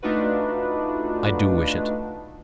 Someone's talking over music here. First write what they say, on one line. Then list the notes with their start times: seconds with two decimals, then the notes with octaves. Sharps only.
"I do wish it."
0.02 A3 D4 D#4 F4 F#4 B4